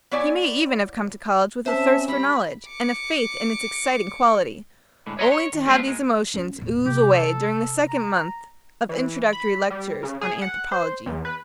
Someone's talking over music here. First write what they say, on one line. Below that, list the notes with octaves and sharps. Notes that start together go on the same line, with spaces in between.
He may even have come to college with a thirst for knowledge and a faith in its exciting quality, only to have these emotions ooze away during the second month of introductory lectures on anthropology.
B3 E4 C#5 D5 G#5
C4 C#4 C5 E5 A5
G3 B5
D6 C#7
A2 D3 G#3
C#5 D#5 E5 F#5 A#5 C6
C#5
D#3
G3 G#3 A#3 C4 D4 F4
A#2 G#3
C#4 F4
E1 A#2
C3 G4
A4
A#5
E3
B5
G3
C#3
G#4
F#5
C5
E2
B4